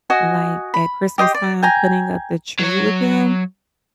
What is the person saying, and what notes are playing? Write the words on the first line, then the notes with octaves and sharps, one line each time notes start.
like, at Christmas time, putting up the tree with him,
F#4 D#5 G#5
B5
G4 D#5 G5 C6
D5
G5 G#5 A#5
F#3 C#5